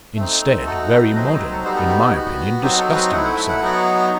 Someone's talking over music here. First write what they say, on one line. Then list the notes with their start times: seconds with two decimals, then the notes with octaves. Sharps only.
"Instead, very modern; in my opinion, disgustingly so!"
0.16 A3 C4 D#4
0.65 A3 D#4 F#4 A4
0.90 B4
1.15 F#3 C4 D#4 D#5
1.27 C5
1.39 B4
1.52 A4
1.64 G3 B3 D#4 F#4 C5
1.76 A4
1.88 G4
2.00 F#4
2.13 B3 F#4
2.62 F#3 C4 D#4 F#4 G4
2.78 A4
2.95 B4
3.11 A3 F#5
3.16 E4
3.24 F#5
3.36 E5
3.48 F#5
3.61 F#3 B3 D#4 F#4